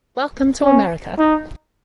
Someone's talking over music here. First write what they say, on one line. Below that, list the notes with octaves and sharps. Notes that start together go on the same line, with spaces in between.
Welcome to America.
C#4
D#4